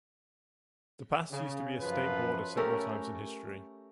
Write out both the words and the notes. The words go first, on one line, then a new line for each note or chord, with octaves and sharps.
The pass used to be a state border several times in history.
C#3
F#2 F3 F4 B4
A3 C#4 G4 A#4